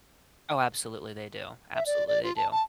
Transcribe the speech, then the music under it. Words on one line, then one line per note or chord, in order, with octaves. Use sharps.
Oh, absolutely, they do. Absolutely, they do.
E5
D5
D5
F4
A5
A5